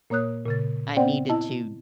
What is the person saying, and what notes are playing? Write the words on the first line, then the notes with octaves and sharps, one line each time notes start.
I needed to
A#2 A#3 C#5 D#6 F#6
A#2 C#3 A6
B3 C4 C5 D5 F#5 G5
E4 D#5 A5